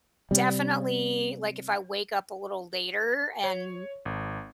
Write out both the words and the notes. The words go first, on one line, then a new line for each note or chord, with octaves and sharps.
definitely, like, if I wake up a little later and,
C3 G3
C#5
G#1